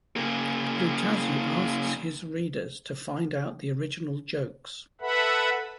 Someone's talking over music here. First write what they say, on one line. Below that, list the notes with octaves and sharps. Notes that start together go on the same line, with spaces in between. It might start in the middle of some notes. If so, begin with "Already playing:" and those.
Luttazzi asks his readers to find out the original jokes.
C#3 A#3
A4 B4 E5 F#5 B5